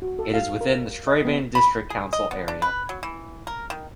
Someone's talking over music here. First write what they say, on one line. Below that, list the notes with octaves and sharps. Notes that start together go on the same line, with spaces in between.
It is within the Strabane District Council area.
F#4
A4
F5
A#4
D#5
B3
B5
G#4
D#5
B3
D4
B4
F#3
E3
A#4
D#3